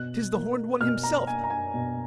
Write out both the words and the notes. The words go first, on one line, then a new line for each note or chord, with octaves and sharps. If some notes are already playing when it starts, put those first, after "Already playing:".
'Tis the Horned One himself!
Already playing: B2 F#6
A#3
B2 F6
A#5
A#3 G#5
A#5
G#5
B2